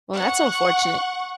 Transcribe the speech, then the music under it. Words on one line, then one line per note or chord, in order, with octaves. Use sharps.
well, that's unfortunate.
F#5 C#6